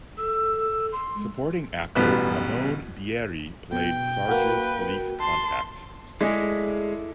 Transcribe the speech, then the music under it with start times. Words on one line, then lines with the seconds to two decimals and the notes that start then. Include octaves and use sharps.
Supporting actor Ramon Bieri played Sarge's police contact.
0.17 A4 E6
0.92 C6
1.15 G#3
1.95 A1 B2 G3 B3 B4 F#6
3.73 B2 G5
4.28 A#3 F#4 B4
5.20 A5 C6 C7
6.21 G#3 E4 G#4 A4 D5